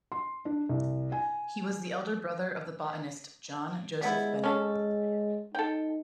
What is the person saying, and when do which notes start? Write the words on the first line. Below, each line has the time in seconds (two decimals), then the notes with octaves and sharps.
He was the elder brother of the botanist John Joseph Bennett.
0.12 C6
0.45 D4
0.69 C2
1.12 G#5
4.01 G3 G#3 B3 E4
4.44 C#4 A4
5.55 D#4 A4 G5